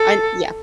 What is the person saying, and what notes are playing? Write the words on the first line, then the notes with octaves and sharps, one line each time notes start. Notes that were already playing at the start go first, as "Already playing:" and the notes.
I n Yeah.
Already playing: A4